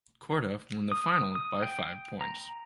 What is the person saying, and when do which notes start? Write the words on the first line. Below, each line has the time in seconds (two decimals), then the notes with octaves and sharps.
Corduff won the final by five points.
0.92 D#6
1.35 D#6
1.63 G5
2.21 A#5